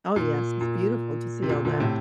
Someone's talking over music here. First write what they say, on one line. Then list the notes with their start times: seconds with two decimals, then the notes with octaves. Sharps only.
Oh yes, it's beautiful to see all that.
0.16 A#2
0.61 A#2
1.42 C3
1.50 A#2
1.65 A#2 D3
1.80 A2 C3